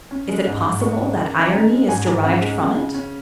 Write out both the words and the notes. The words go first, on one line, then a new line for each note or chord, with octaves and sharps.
Is it possible that irony is derived from it?
C#4
G#3
G#2
G#2
G#3 C#6
C#3
D#2
D#4
C#4 A#5
G#3
G#2 G#5
G#2
C#4 F#5
G#3
C#3
C#3
C#4